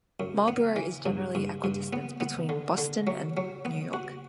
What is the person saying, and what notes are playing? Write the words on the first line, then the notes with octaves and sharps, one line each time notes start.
Marlborough is generally equidistant between Boston and New York.
F#2
B3
E3
G2
G2
G2
B3
B3
D3
D3
F#3
F#3
B3
F#4